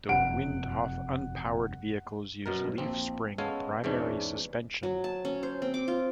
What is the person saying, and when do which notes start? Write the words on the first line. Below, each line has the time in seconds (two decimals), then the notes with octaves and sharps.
The Windhoff unpowered vehicles use leaf spring primary suspension.
0.09 F#1 F2 C3 F#5 D7
2.46 F#2 B2 A#4
2.78 A#1 C4
3.38 G#3 B3 C#4 A4 F5 G#5
3.84 E2 G#2 E3 C#4 D4
4.83 F#3
5.04 A5
5.25 C#4
5.43 C5
5.62 C4
5.74 D6
5.88 F4